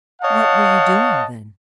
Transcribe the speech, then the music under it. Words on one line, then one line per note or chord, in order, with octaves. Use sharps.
"What were you doing, then?"
C#5 D#5 F5 F#5 A5